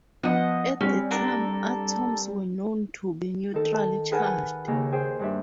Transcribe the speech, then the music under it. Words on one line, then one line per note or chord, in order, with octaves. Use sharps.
At the time, atoms were known to be neutrally charged.
F3 B3 D#5 F#5
G3 C4 C#4
D4 A4 A#4
D#3 A4
A5
G#4 A#4 B4 F#5 G#5 A5
D#2 C#3 C#4 A#5 E6
G#4 C5 G5
G2 D4 E5